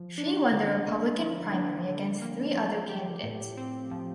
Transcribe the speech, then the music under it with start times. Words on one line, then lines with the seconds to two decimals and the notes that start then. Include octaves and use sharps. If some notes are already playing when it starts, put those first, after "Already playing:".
She won the Republican primary against three other candidates.
Already playing: F3
0.18 D4
0.52 D3
0.86 A#3
1.19 F3
1.54 D4
1.88 D3
2.22 A#3
2.55 F3
2.89 G4
3.23 A2
3.57 C4
3.91 F3